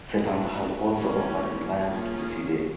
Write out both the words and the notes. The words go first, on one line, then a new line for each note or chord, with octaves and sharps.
Setanta has also offered an alliance to the Sidhe.
A3 D4 F#4 B4
E3 G3 A#3 C#4
A#3 C#4 F4 G#4